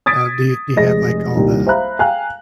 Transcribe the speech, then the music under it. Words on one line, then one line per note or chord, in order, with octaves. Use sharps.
Uh, do you do you have, like, all the,
D#6 G#6 A6 B6 D7
F1 G#3 D#5 A#6
D#1 C2 A#3 D#4
C5 E5 F5 A#5 B5 F#6
F5 G5 G#5 A#5 F#6